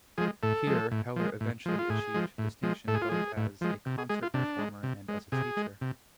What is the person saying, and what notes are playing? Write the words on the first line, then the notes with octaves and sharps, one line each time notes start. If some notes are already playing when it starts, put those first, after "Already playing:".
Here Heller eventually achieved distinction both as a concert performer and as a teacher.
F3 G#3 G#4
A2 A4
F3 G#3
A2
F3 G#3
A2
F3 G#3
F4
A2 G#4
F3 G#3
A2
F3 G#3
A2 A4
G#4
F4
F3 G#3 G#4
A2
F3 G#3
C3
G#4
G#3 G#4
F4
C3 D4
G#3
C3
G#3
C3 G#4
G#3
C3